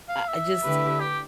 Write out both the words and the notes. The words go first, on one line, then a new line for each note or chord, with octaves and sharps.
I I just
F5
E5
D3 A3 E4 G4 B4
G4